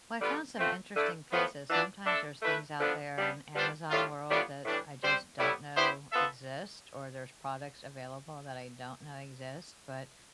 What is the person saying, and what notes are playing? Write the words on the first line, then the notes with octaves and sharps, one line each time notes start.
Well, I found some interesting pieces, sometimes there's things out there in Amazon world that I just don't know exist, or there's products available that I don't know exist, but
D3 G3 B3 F4 B4
F3 A3 C4
D3 A3 E4 A4 D5
A2 F3 B3
E3 B3 D4 F4
A3 D4 A4 E5
A3 E4 B4 E5
D3 F3 B3 D4
G3 B3 D4
G3 B3 D4 F4 C5
A2 G3 D4 F4
A2 G3 B3 D4 F4
A2 E3 G3 D4
G3 C4 G4 C5
A2 G3 B3 E4
B3 E4 G4 C5
B3 F4 A4 E5